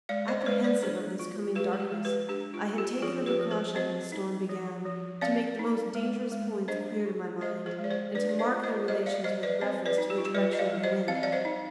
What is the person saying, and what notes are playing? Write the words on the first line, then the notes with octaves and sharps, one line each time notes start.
Apprehensive of this coming darkness, I had taken the precaution, when the storm began, to make the most dangerous points clear to my mind, and to mark their relations with reference to the direction of the wind.
G#3 D5 F5
C5 D#5
C5
G#3 B4 D5
B4 D5
D4 G#4 C5
F4
G#3 G4 B4
G#4
G4
G#3
G4 B4
D4 G4
F4
F4
G4
F3 F4 G#4
G4 B4
F3
G#4 C5
C4 C5 D#5
D#4
F3
F3
C4 D5 F5
D#4
G#3
G#3
D4 C5 D#5
F4
G#3 C5 D#5
G#4 C5
G#3
D5
G#4 C5
D4 B4 D5
D5
C5 D#5
F4
C5 D#5
G3 C5 D#5
D5 F5
G3 C5 D#5
B4 D5
C4 C5 D#5
B4 D5
D#4
G4
F4
G4
G3 B4 D5
D#5
D5 F5
G3
C5 D#5
C4 F5
D#5
D5 F5
C5 D#5
D#4